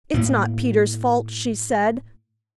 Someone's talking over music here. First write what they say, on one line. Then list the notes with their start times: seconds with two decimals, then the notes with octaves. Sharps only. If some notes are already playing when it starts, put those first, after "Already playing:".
"It's not Peter's fault," she said.
0.14 A2 A#3